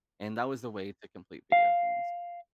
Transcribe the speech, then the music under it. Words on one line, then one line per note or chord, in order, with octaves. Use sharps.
and that was a way to complete video games,
F5